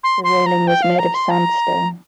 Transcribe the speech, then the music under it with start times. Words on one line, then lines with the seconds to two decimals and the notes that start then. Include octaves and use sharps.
The railing was made of sandstone.
0.04 C6
0.24 C6
0.46 A#5
0.67 G5
0.82 F5
0.99 A#5
1.14 C6
1.30 A#5